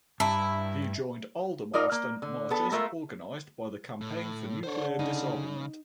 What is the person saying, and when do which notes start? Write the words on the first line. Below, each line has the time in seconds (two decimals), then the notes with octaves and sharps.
He joined the Aldermaston marches organised by the Campaign for Nuclear Disarmament.
0.20 G2 E4 A5 A#5
1.73 D#4 F4 A#4 D5 D#5
1.92 A#3
2.22 D3
2.50 B3 A4
2.72 G#3 A3 F4 A#4 E5
4.01 A2
4.63 D3 C5 C#5
4.99 C#3 D#4